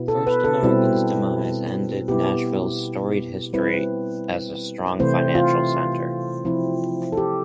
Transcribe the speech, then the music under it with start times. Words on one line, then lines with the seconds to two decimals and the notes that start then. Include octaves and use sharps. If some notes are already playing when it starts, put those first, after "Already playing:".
First American's demise ended Nashville's storied history as a strong financial center.
Already playing: B2 B3 E4
0.08 A4
0.27 B4
0.44 A4
0.63 B2 G3 C4 E4
2.08 B2 B3 E4 G4
3.53 G3 C4 E4 B4
4.99 C3 E3 A3 C4 E4 C5
5.35 F4
6.45 F3 C4 E4
7.12 A4
7.17 G4